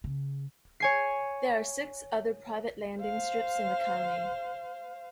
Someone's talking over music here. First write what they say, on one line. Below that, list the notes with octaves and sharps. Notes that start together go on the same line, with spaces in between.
There are six other private landing strips in the county.
C#3
C#5 G#5 C7
C5 F5